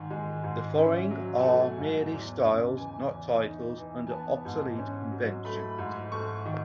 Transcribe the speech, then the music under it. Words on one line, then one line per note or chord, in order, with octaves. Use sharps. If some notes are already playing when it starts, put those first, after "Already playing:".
The following are merely styles, not titles, under obsolete conventions.
Already playing: G#2 D#3 G#5
G#3
G#2
C#4 E5
F#3
G#5
A3 F#5
G#2
E2
C#3
E3 G#5
E2
D#4
E3
G#5
B3 A5
G#2
C#4
F#3
A3 B5
G#2
A3 C#6
D#3